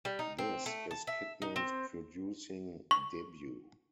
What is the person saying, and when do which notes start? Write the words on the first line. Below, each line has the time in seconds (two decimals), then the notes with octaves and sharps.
This is Kidman's producing debut.
0.05 G3
0.19 D#4
0.39 C4
0.66 A3
0.91 A5
1.07 E5
1.42 D#4
1.56 C4
2.91 C#6